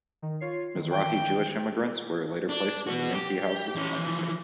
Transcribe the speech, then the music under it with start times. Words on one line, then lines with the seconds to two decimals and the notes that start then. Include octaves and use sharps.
Mizrahi Jewish immigrants were later placed in the empty houses by the state.
0.22 D#3
0.40 F4 C#5 C7
0.75 D#3 E3
0.90 G5
2.49 D4
2.87 B3 F#4
3.14 G4
3.76 E3 C#4
3.98 E3 F3